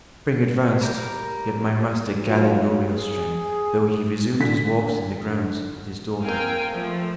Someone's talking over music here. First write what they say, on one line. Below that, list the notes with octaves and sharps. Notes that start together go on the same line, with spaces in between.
Spring advanced; yet my master gathered no real strength, though he resumed his walks in the grounds with his daughter.
G3 A#4 G6
B1 F#3 F4 C#5
G#4
D3 B6
A#3 C4 A#4 F5 G5 G#5
F3 A3